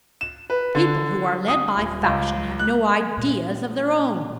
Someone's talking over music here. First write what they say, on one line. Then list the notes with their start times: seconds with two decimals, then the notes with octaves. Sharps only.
People who are led by fashion have no ideas of their own.
0.21 E7
0.50 B4
0.75 D3
1.48 D#6
1.77 D#1
2.04 C#2
2.59 F#6
3.18 A#2